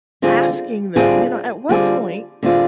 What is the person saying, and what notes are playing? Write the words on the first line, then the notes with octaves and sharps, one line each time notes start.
asking them, you know, "At what point
D3 G3 C4 F4 G#4
D3 G3 C4 F4 G#4
D3 G3 C4 F4 G#4
D3 G3 C4 F4 G#4